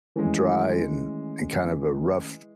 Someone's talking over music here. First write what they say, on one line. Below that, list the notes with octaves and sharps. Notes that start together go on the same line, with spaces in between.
dry and and kind of a rough
D#3 E3 G#3 A3 C#4